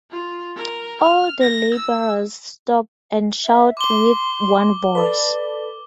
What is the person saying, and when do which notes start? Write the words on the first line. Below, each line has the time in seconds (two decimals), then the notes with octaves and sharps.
All the laborers stop and shout with one voice.
0.11 F4
0.55 A#4
1.01 F6
1.41 A#6
1.74 E6
3.45 E5
3.77 C6 D6 G7
4.95 A4 B4 D5